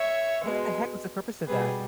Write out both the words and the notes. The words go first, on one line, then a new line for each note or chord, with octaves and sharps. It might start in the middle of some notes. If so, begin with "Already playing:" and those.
What the heck was the purpose of that?
Already playing: C#5 E5
B2 G#3
B2 G3 G#4 B4